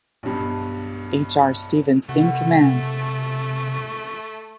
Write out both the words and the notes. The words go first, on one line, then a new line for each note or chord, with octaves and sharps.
H. R. Stevens in command.
B1 G2
C3 A3 F#4